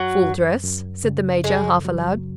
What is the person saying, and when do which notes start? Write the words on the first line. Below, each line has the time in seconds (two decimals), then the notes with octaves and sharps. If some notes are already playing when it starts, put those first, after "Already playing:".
"Full dress?" said the major, half aloud.
Already playing: F#2 F#3
0.23 F#2
0.64 F#2
1.04 C#3
1.44 F#2 G#3
1.85 F#3